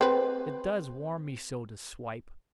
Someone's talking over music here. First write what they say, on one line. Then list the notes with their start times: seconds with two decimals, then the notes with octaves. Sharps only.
"It does warm me so to swipe."
0.01 C4 B4